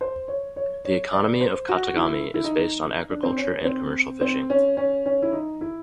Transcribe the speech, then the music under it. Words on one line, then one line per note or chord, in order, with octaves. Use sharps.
The economy of Katagami is based on agriculture and commercial fishing.
C5
C#5
C#5
C#5
D5
C5
F#4
E4
E4
D#4
D4
C4
C#4
C4
C4
C#4
C#4
C#4
E4
D#4
E4